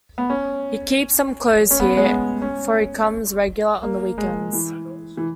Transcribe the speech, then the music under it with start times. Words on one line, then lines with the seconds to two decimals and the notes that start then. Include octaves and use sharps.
He keeps some clothes here, for he comes regular on the week-ends.
0.18 B3
0.30 C#4
1.71 C#4
1.80 B3
1.97 G#3
2.06 B3
2.42 C#4
3.83 A#3
4.18 G#3
4.53 E3
5.17 E3